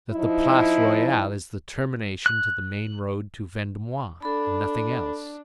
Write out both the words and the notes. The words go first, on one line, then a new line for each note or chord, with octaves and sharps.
"That the Place Royale is the termination to the main road to Vendomois, and nothing else."
F3 D#4 E4
F#6
D4 A4 B5